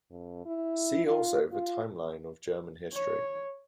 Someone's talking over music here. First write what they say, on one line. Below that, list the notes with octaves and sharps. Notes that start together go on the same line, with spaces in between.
See also the timeline of German history.
F2
E4
F4
F4
C#5